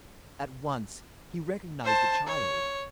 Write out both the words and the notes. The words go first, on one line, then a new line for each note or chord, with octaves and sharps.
At once he recognized the child.
C5 A5
C#5